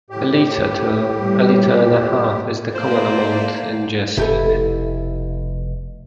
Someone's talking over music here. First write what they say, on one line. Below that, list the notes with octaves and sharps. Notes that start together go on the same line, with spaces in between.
A litre to a litre-and-a-half is the common amount ingested.
A2 G4
A#2 G3 B3
A3 A#3 C5 D5 F5
F1 B2 E4 G4 A4